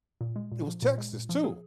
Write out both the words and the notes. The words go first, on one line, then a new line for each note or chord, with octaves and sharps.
It was Texas, too.
A#2
G#3
A#2
F3
A#2
G#3
A#2
F3
G#4